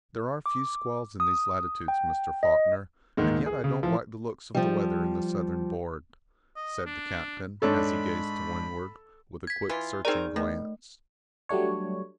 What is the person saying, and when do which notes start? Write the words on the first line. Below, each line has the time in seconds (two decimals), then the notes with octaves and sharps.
"There are few squalls in these latitudes, Mr. Faulkner, and yet I don't like the looks of the weather in the southern board," said the captain, as he gazed to windward, with a quick, searching glance.
0.46 D6
1.20 D#6
1.88 G5
2.43 D#5
3.17 D#2 G#2 D#3 G#3
3.46 G#4
3.64 C#3
3.83 E3 F3
4.55 F3 G3
6.56 D#5
6.86 D4
7.62 G#2 D4 A4 C#5 B5
9.47 G#6 B6
9.69 E3 F4
10.05 C4 D#4 G#4 A#4 D5
10.36 D#3 A3
11.49 F#3 G3 A3 D4 C#5